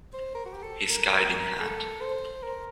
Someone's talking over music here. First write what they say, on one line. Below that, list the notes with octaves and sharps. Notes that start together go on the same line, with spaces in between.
His Guiding Hand.
C5
A#4
F#4
G4
A4
A#4
A#4
A4
C5
A#4